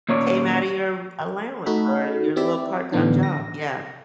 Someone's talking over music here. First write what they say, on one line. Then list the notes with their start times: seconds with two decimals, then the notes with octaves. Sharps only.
came out of your allowance, or your little part time job, yeah.
0.09 D#2 A#2 C#4 F4 C#5 D5
1.66 A3 D#4 F#4 A4 B5
2.36 C4 E4 G4 D5 E5
2.92 A2 D3 E3 B3 D4 D#4
3.23 A#6